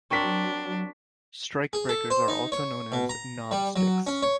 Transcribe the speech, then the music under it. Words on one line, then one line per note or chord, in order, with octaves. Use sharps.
Strikebreakers are also known as "knobsticks".
F#3 C4 D4 A#4 C#6 B6
G#4
A4
C5
D#4
C#5
B2
A#5
G3
F#3
C#4
C#5